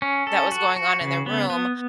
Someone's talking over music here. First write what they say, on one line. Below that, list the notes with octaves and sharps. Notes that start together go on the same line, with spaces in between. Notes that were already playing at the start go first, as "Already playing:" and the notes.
that was going on in the room,
C#4
A4
F#4
F#4
C#3
B3
B3